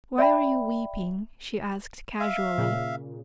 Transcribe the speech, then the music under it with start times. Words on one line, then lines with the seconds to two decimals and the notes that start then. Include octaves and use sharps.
"Why are you weeping?" she asked casually.
0.18 D5 E5 G5 B5
2.20 E5 F5
2.58 A#2 C#3